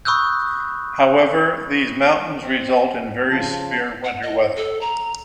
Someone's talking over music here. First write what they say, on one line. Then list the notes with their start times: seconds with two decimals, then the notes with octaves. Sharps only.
However, these mountains result in very severe winter weather.
0.05 B5 C#6 D#6 E6 F#6 G6
2.43 C4
3.30 C#3 F3 A5
4.04 F#5
4.22 D#5
4.56 A4
4.81 A#5